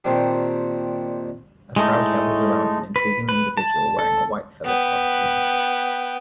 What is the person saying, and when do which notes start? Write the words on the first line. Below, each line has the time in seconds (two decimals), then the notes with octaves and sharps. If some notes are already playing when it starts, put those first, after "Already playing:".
A crowd gathers around an intriguing individual wearing a white feathered costume.
0.04 A#2 D#3 C4 D4 G4
1.76 A2 G#3 A3 D#4
2.96 B4
3.29 B4
3.57 A5
3.99 A4
4.65 B3 G5